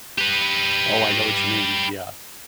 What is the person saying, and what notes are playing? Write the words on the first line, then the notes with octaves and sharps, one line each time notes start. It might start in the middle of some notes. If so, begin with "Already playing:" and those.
Oh, I know what you mean. Yeah,
G4 B4